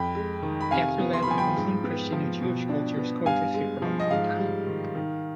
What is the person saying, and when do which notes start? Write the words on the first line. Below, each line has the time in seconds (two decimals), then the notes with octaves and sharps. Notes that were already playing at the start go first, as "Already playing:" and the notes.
After that, the Muslim, Christian and Jewish cultures coexisted for a long time.
Already playing: F2 G5 B5
0.15 G#3
0.43 D#3
0.61 B5
0.71 C3 F5 G#5
1.00 B3
1.13 C6
1.22 B5
1.27 F3 G#5
1.38 G5 B5
1.56 G#2
1.84 B3
2.12 F3
2.41 B2
2.69 D4
2.97 B3
3.25 G2 F5 G#5
3.54 G#3
3.82 F3
4.00 D#5
4.11 G#2 F5
4.38 G3
4.67 D#3
4.95 D#3